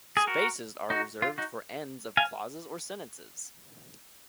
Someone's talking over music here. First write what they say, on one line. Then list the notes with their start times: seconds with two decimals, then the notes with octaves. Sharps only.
Spaces are reserved for ends of clauses or sentences.
0.17 G#4
0.27 F#4 A#4
0.90 D#4 F#4
1.22 F4
1.38 D#4 F#4
2.17 F5 G#5